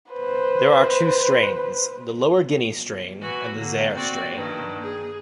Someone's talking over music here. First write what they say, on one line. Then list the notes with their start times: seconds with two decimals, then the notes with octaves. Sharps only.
There are two strains: the Lower Guinea strain and the Zaire strain.
0.12 B4 C5
3.21 E3 F#4
3.55 D3 A#3
3.95 C4 F#4 D5
4.35 G2 D#3 A#3
4.82 G#4